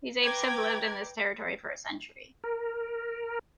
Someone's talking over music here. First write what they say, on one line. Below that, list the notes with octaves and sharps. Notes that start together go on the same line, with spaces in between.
These apes have lived in this territory for a century.
B4 G5 A#5 D6 G#6
A#4